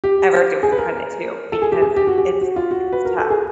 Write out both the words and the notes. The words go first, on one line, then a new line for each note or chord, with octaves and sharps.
ever gives credit to, because it's it's tough.
G4
G#4
B4
A#4
A4
G#4
G4
G#4
G4
F#4
G4
F#4
F4
F#4
B4
A#4
A4
G#4